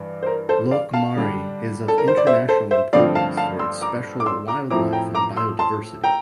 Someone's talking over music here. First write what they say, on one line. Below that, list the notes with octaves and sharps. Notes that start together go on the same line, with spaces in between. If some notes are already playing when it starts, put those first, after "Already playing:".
Loch Maree is of international importance for its special wildlife and biodiversity.
Already playing: G2 E3
C5
A#4
A4 C5
D5 F5
F5 A5
D3 G3 D4
A4
A#4
C5
D5
C5 E5
A4 C5
C5 E5
G2 D3 F3 A3 C4 D5 F5
F5 A5
F5 A5
C6 E6
A#5 D6
D6
C6 E6
A#5 D6
A2 F3 A3 C4 E4 A#5 D6
G5 A#5
A#5 D6
C6 E6
A5 C6
G5 A#5